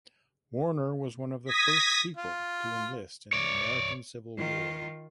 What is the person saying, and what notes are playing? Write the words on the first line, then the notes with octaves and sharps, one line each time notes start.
Warner was one of the first people to enlist in the American Civil War.
D#6 G#6 A#6 B6
F4
C#5 D5
D#3 F4